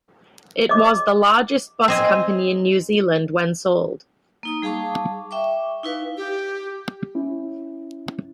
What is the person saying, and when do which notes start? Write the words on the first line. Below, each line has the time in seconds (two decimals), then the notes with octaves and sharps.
It was the largest bus company in New Zealand when sold.
0.69 D#5 D6
1.88 C4 D#5 G#5
4.43 A#3 D#4 D#6
4.62 G3 G#4 F5 A5 C#6 D6
5.31 E5 G5 C#6 D6
5.83 D#4 E4 B4 F5
6.17 G4
7.15 C#4 E4